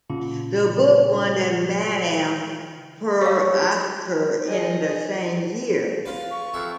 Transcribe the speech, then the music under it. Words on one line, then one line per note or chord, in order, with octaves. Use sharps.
The book won the Madan Puraskar in the same year.
A#2 C#3 F4
G4 C#5 F5
G#4 D#5
F4 B4
C#6
F2 E5